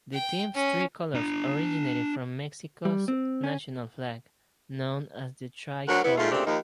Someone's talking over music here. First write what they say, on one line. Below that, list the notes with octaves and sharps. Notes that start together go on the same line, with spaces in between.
The team's three colors originated from Mexico's national flag, known as the tricolor.
G5
C#4
D4 A#5
G3
C4
C#4
D2 D3 F#3 A#4 F#5
E2 B3 E4
G#2 A3 F4
A#2 C#3 A3 C4 D4 G4
D#2 D#3 F3